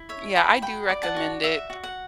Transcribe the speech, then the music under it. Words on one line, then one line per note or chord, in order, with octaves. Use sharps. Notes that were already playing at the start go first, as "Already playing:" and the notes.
Yeah, I do recommend it,
Already playing: E4
C#5 E5
E4 G5 B5
F#4 G5 B5
D5
F#5 A5
F#4
F#4 E5
F#4
F#5